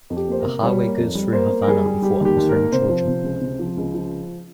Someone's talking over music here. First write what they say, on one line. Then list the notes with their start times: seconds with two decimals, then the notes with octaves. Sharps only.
The highway goes through Havana before entering Georgia.
0.10 F2
0.17 G4
0.28 A#3 C5
0.40 A#4
0.45 C3
0.63 G3 C#5
0.80 A#3
0.97 F2
1.15 G3
1.32 A#3 C5
1.51 A#3
1.62 A#4
1.68 G3 G#4
1.86 G3
2.02 G3 G4
2.21 D#2 G4
2.37 D#2
2.49 A#4
2.55 A#3
2.72 C3 C5
2.89 F3
3.07 C3
3.24 C#2
3.41 C3
3.60 F3
3.77 C#2
3.94 F3